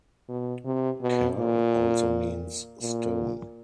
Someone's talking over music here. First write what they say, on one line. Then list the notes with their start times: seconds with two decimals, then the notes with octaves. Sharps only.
'Kal' also means 'stone'.
0.29 B2
0.65 C3
1.01 B2
1.38 A#2
2.82 A#2